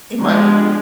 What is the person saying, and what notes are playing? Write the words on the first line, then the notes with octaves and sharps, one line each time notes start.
It might
F3 G#3 B3 D4 G4